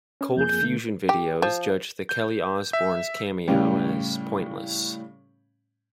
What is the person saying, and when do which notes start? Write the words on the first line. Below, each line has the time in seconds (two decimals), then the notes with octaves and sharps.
Cold Fusion Video judged the Kelly Osbourne cameo as "pointless".
0.21 C#4
0.37 F2 A#3 G#4 G6
0.62 D3 A3
1.09 G4
1.42 F3
2.09 G6
2.73 E5
3.48 A2 C#3 G3 C#4 G4